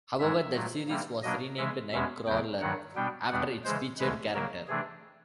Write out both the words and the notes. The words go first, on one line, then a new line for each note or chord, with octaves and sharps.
However, that series was renamed "Nightcrawler" after its featured character.
G#2 E3 G#3 E5
A#2 F#3 A3
C3 E3 G3 A#3
B2 F#3 A#3 D4 D#5
C#3 E3 G#3 E5
E2 B2 G#3 C#4 E5
E2 C#3 F#3 G5
G2 D#3 F#3 F#5
B2 G3 B3 D4 G5
E2 B2 G3 B3 D4 F#5
C#3 E3 G#3 C5
D2 C#3 E3 G#3 B4
C#3 F#3 A#3 A#4
C3 E3 A3 D4 G#4